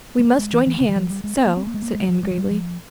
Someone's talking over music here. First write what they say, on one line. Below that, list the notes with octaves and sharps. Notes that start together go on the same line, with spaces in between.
"We must join hands--so," said Anne gravely.
G#3
A#3
G#3
E3
E3
C#3
E3
F3
G3
G#3
C4
A#3
C4
A#3
G#3
A#3
G#3
F3
G3
F3
G3
F3